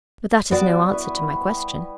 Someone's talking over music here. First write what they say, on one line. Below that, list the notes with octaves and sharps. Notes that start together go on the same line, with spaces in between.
But that is no answer to my question.
G3 B3 F#4 D5
E4 B4 C#6